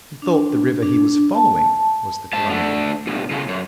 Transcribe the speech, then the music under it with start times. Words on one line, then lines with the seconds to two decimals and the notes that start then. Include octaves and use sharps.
He thought the river he was following was the Columbia.
0.22 D4
0.83 D4
1.35 A5
2.34 G#2 A5
2.50 D3 A3
3.07 B1 G2
3.31 A2 C#3
3.48 F#2